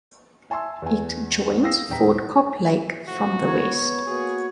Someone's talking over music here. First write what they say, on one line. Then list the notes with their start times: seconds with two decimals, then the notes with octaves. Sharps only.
It joins Fort Cobb Lake from the west.
0.50 E5 G#5 A5 C6 E6
0.82 E2 G#5
1.63 F5 G5 D#6 E6 A#6 C7
1.89 D#1 E2 D4 G5 A#5 B6
3.08 A2 C3 F3 F#4
3.47 C#2 B3 C#5
4.07 A#3 B3 F#4 G#4